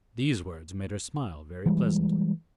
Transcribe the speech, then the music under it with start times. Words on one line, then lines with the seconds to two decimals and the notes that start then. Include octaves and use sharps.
These words made her smile very pleasantly.
1.66 E3 G3 G#3